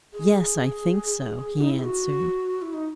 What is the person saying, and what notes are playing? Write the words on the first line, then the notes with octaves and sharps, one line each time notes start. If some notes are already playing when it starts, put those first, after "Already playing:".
"Yes, I think so," he answered.
G#4
D#4
E4
G#4
F#4
E4
D#4